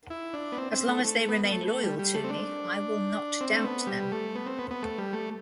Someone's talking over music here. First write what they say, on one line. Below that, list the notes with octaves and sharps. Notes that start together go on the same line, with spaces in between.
As long as they remain loyal to me, I will not doubt them.
E4
D4
B3
C4
C4
A3
A3
B3
B3
A3
A3
G3
G3
A3
C4
D4
C4
A3
B3
G3
A3
B3
C4
B3
B3
A3
G3
A3